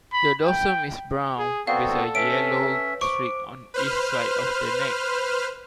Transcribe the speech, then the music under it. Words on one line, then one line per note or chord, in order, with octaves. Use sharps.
The dorsum is brown, with a yellow streak on each side of the neck.
B5
G5
G#4
B3 C4 F#4 A4 D5 F5
C#4 B4 C#5 E5 D7
C5 C#6 D6 D7
B4 C5 F6